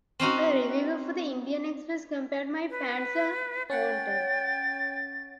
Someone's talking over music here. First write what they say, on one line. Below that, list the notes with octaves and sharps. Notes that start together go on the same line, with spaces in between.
A reviewer for the Indian Express compared My Pants are Haunted!
C4 C#4 D#4 F#4
B4
C#4 C#5 F#5 G5 A6